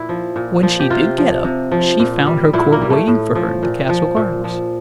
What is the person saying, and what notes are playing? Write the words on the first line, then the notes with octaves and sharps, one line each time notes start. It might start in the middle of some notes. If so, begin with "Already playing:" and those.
When she did get up, she found her court waiting for her in the castle gardens.
Already playing: A#2 E4
F3
A#2
F3
G4
C3 F4
F3
C3
F3
A#2
G3
A#2 E4
A#3
G3
A3
A2
F3
A#2
F3
A#2
F3